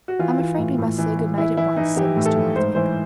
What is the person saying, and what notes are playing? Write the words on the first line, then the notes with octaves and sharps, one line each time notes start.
"I'm afraid we must say good night at once," said Mr. Northwick.
F#4
E3 F4
E3
A2
A2
E3
E3
E3 E4
E3 E4
E3 D#4
E3 G4
A2
A4
A2
G#2 C5
E3 C5